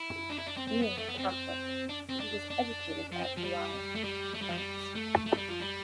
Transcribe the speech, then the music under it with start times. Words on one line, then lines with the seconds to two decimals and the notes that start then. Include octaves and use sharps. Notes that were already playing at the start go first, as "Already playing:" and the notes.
Being a Catholic, he was educated at Douai in France.
Already playing: E4
0.29 D4
0.37 E4
0.46 D4
0.57 C4
0.67 C4
0.82 B3
0.98 A3
1.08 B3
1.18 C4
1.28 C4
1.89 D4
2.09 C4
2.20 D4
2.50 D4
3.12 F3
3.22 C4
3.37 F3
3.43 G3
3.95 A3
4.04 G3
4.34 A3
4.42 G3
4.49 F3
4.57 G3
4.95 A3
5.26 A3
5.37 G3
5.49 F3
5.61 G3